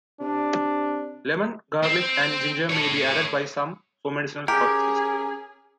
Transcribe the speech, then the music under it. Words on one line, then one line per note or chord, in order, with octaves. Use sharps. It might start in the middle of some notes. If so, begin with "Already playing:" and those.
Lemon, garlic and ginger may be added by some for medicinal purposes.
C3 D4
C4
A4 C#5
C#4 G4 G#4 A#4